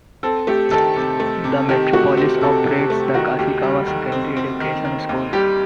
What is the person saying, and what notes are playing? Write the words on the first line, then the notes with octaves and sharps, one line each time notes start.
The metropolis operates the Koishikawa Secondary Education School.
C4 A4
A3 G4
D#3 A4
C3
A3
C3
D#3 G4
A3 F#4
C4 G4
C3 A4
C3
G4
A3
D#3 F#4
D#2 G4
G3
D#3
C4
C4
D#3
D#3
D#2
G3 G4